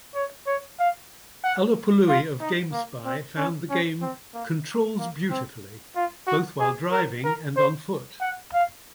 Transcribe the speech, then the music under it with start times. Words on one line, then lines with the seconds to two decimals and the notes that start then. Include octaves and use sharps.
Alupului of GameSpy found the game "controls beautifully", both while driving and on-foot.
0.15 C#5
0.47 C#5
0.79 F5
1.44 F#5
2.08 F4
2.41 D#4
2.72 A#3
3.05 C4
3.37 C#4
3.70 C#4
4.01 C4
4.34 A#3
4.99 A#3
5.31 C4
5.96 F4
6.27 F#4
6.60 G#4
6.91 A#4
7.24 A#4
7.57 C5
8.21 F#5
8.53 F5